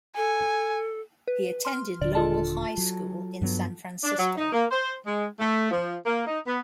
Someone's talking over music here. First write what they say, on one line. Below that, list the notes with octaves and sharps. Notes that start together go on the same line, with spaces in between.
He attended Lowell High School in San Francisco.
A4 G#5
B4
C6 F6
D#1 D3 D5
F4 A4 A5
F#3
G2 F#3 B3
D4
F#3
D#4
A#3
C5
G#3
A3
F3
A#3
D#4
B3